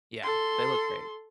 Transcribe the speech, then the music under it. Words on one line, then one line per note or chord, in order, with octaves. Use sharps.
Yeah, they look great.
A4 C6